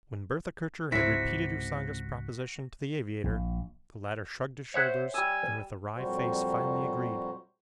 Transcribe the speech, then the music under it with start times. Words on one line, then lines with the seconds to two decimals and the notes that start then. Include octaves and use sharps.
When Bertha Kircher had repeated Usanga's proposition to the aviator, the latter shrugged his shoulders and with a wry face finally agreed.
0.92 C#2 G#2 C3 F#3 E4 F#4 B6
3.24 A#1
4.74 C5 C#5 E5 F#5
5.14 G3 G#5 E6
5.97 F2 A#2 F#3 G3 F#4 C5